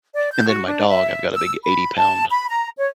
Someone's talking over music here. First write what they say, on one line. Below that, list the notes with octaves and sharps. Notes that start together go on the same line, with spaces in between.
and then my dog I've got a big eighty-pound
D5
G6
F#4
D4
E5
E6
B5
A5
B5
A#5
C#5